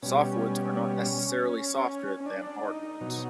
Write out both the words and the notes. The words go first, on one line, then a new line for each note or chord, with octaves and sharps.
Softwoods are not necessarily softer than hardwoods.
B2 G3 C#4
C#4
C#4
D4
D#4
B2 F#3